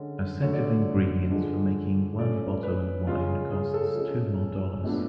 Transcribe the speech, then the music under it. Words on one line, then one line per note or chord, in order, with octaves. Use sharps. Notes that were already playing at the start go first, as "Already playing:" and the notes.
A set of ingredients for making one bottle of wine cost two more dollars.
Already playing: D3 G#3 C#4
D3 F#3 A3 C#5
D5
C#5
D3 F3 G#3 D4
F3 A3 C#4 D5
B4
C#3 G#3 C#4 F4
G#4
G#4
A4
F3 G#3 C#4
A2 F3 B3 D4